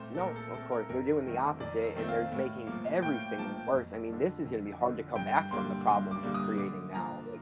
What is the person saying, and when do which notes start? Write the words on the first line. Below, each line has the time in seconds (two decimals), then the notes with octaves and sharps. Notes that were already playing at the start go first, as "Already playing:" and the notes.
No, of course, they're doing the opposite, and they're making everything worse, I mean, this is gonna be hard to come back from, the problem he's creating now, like
Already playing: A#2 A3 C4 C5
0.15 A4
0.18 A#2 A#4
0.36 A4
0.54 A3 C4 A4
0.72 A#4
0.89 F2 A#4
1.25 D#3 A3 C4
1.60 F2 D5
1.96 D#3 A3 C4
2.08 F5
2.32 A2
2.67 F3 A#3
3.02 A2 G5
3.38 F3 A#3 A5
3.74 F2
4.10 D3 F3
4.45 F2
4.80 D3 F3
5.16 G2 G5
5.51 D3 G3 A#3 C6
5.87 G2 C6
6.11 D6
6.23 D3 G3 A#3
6.34 D#6
6.58 D3 D6
6.94 F3 A#3 A#5